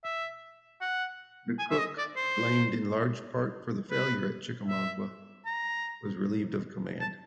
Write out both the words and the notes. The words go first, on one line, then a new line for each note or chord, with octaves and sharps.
McCook, blamed in large part for the failure at Chickamauga, was relieved of command.
E5
F#5
G#5
E5
D#5
D5
C5
B4
E5
A#5
A5